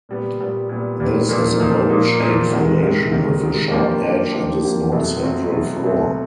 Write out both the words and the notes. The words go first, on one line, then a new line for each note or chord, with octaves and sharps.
This is a bowl-shaped formation with a sharp edge and a small central floor.
A#2 G3 B3
A#2 G3 B3
A#2 G3 B3
A#2 G3 B3
A#2 F3 A#3 D#4
A#2 F3 A#3 D#4
A#2 F3 A#3 D#4
A#2 F3 A#3 D#4
C3 D#3 G#3
C3 D#3 G#3
C3 D#3 G#3
C3 D#3 G#3
F3 A#3 D4 G4
F3 A#3 D4 G4
F3 A#3 D4 G4
F3 A#3 D4 G4
B2 F#3 A3 C4
B2 F#3 A3 C4
B2 F#3 A3 C4
B2 F#3 A3 C4